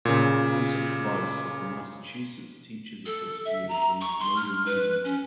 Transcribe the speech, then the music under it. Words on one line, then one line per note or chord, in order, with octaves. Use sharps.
One such voice is the Massachusetts Teachers Association labor union.
A#2 C#3
A4
E5
A#5
C#6
C6
F6
B4
C#4